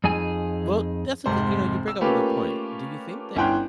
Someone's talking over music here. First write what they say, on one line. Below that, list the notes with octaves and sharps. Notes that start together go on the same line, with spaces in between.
Well, that's a g you know, you bring up a good point. Do you think that
F2 D#4 G#4 G#5
F1 G#2 C3 C5
E6
A3 A#3 C#4 F4 G4 B4
G1 C#4 E4 G5 C6 F#6